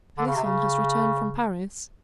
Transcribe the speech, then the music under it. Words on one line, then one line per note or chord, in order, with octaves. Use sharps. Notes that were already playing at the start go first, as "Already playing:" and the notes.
"Pelisson has returned from Paris."
D3
C#3
C3
C#3